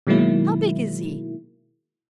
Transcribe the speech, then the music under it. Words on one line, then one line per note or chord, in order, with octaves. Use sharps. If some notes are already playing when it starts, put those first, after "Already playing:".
"How big is he?"
B2 D#3 F#3 G#3 A#3 E4